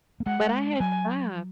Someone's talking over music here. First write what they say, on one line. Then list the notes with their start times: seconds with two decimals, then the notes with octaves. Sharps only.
But I had stop.
0.20 A#3
0.26 G#3 F#5
0.80 F#3 G#5